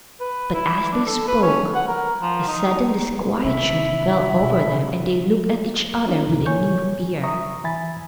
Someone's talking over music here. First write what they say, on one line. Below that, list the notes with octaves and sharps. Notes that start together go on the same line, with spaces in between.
But, as they spoke, a sudden disquietude fell over them, and they looked at each other with a new fear.
B4
E4
D4
A4
B4
C#4
F#5
A#4
F3
D#4
C3 D#3 D4 E4 B5
B2
C#4 D#4 F4
D2 A#2 C#3
A#3 C#5 G#5 C#6 G6
E5 A#5 C#6 D#6
E3 E5 G#5 B5 A6